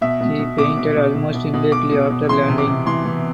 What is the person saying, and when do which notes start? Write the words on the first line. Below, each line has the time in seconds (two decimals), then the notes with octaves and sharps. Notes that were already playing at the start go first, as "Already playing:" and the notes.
He fainted almost immediately after landing.
0.01 B2 E5
0.20 B2
0.39 B2
0.58 B2 D6
0.77 B2
0.96 B2
1.15 B2
1.34 B2
1.54 B2
1.72 B2 D6
1.92 B2
2.10 B2
2.29 E3 C6
2.49 C3
2.58 D6
2.68 C3
2.86 E3 C6
3.05 E3